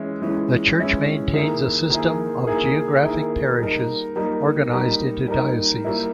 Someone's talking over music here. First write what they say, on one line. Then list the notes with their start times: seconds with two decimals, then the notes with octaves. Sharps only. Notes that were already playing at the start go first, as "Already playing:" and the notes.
The church maintains a system of geographical parishes organised into dioceses.
Already playing: E3 G#3 C#4 E4
0.22 E3 G#3 C#4 E4
0.78 E3 G#3 C#4 E4
1.34 D#3 A#3 E4 G#4
1.90 D#3 A#3 E4 G#4
2.47 D#3 A#3 E4 G#4
3.03 D#3 A#3 E4 G#4
3.59 G3 A#3 D#4 A#4
4.16 G3 A#3 D#4 A#4
4.72 G3 A#3 D#4 A#4
5.28 G3 A#3 D#4 A#4
5.85 G3 A#3 E4